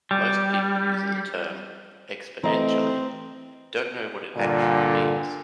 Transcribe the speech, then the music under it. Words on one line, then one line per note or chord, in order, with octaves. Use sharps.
Most people using the term "exponentially" don't know what it actually means.
G3
E3 A3 C4 D#5 A#5
G2 A#2 D3